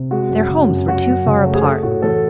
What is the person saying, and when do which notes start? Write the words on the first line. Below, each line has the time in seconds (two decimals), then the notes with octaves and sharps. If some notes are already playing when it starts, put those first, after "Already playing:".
Their homes were too far apart.
Already playing: C3
0.11 G#3 F#4
0.30 F#2
0.50 C#3
0.69 F#2
0.88 F#3 F#4
1.07 F#2
1.26 C#3
1.45 A3
1.55 G#4
1.64 A3 A4
1.83 A2 F#4
2.02 E3 A4